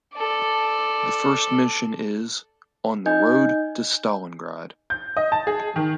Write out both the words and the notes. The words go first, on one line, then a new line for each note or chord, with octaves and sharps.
The first mission is On the Road to Stalingrad.
A4 D5
D#4 D#5 G#5 G6 G#6
G6
D#5
A5
G#4
D#3